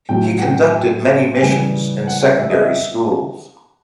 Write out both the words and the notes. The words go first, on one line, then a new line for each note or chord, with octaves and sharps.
He conducted many missions in secondary schools.
A2 F#3 G5
F#5
G5
G5
G5
C#3 E3 G3 G#5
F#5
E5
D#5
E5